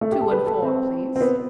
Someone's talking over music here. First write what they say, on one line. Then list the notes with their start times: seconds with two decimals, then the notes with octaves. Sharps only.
"Two-and-four, please."
0.01 A3
0.12 G4
0.21 A4
0.32 B4
0.46 A4
0.62 C4
1.16 C4
1.21 B3